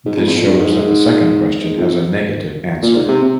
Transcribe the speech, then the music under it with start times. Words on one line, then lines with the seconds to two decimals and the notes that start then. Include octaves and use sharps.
This shows that the second question has a negative answer.
0.06 G#2
0.17 F2
0.27 E2
0.36 F2
0.46 G2
0.59 G#2
0.72 G#2
1.64 G#2
1.78 F2
2.83 A#2
2.96 G#2
3.09 C3
3.22 C3